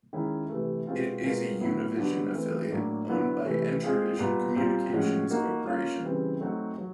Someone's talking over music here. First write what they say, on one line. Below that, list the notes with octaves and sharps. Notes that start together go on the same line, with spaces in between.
It is a Univision affiliate, owned by Entravision Communications Corporation.
D#3 G#3 C#4 E4
C3 E3 A3
B2 G#3 C4 F4
B2 G#3 C4 F4 A#4
A2 F#3 B3 E4
D3 F#3 B3 D4 G4
E3 A3 C4
A2 F#3 A#3 D4
D3 F#3 B3 E4
C3 E3 A3
G#3 C4 F4 G#4 C5
A#2 G3 B3
A#2 G3 C4 F4
A2 F3 G#3 C#4 F#4
A#3 D#4 F#4 A#4
A#3 C#4 F4
C#3 E3 G3 C4
F#3 A3 C4 D#4 F#4
F#3